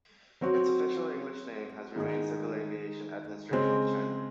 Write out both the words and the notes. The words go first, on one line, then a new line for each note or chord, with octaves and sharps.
Its official English name has remained Civil Aviation Administration of China.
F#3 C4 F#4
G#2 D#3 G#3 D#4 G#4
C#3 G#3 C4